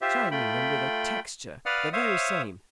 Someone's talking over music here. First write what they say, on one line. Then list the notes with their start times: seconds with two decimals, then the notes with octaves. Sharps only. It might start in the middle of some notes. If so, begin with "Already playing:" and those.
Shining and with a texture--the very same.
0.02 F4 G4 C5 E5
0.31 A3 F4 G5 B5
1.66 B4 D5 F5 F#5 D#6 F6
1.93 C5 C#5 E5 F5 D#6